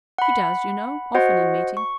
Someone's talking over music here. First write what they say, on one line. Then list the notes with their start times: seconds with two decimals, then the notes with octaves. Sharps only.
"She does, you know, often in meeting."
0.18 F#5 B5
1.15 F#4 C5 D#5 F#5
1.77 C#6